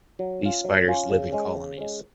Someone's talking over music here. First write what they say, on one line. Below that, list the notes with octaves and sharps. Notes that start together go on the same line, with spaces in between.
These spiders live in colonies.
F#3
C#4 F4
F#3
C#4 F4
C#3
G#3 C#4
C#3
G#3 C#4